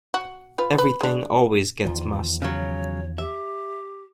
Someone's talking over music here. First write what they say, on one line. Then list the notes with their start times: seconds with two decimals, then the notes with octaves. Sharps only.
Everything always gets mussed.
0.14 F#4
0.58 F4 B4
0.78 B4
1.01 G#3 D4
1.85 E2 D#3 F3 F4
2.42 C#3 F#3 C#5
3.18 G4 E5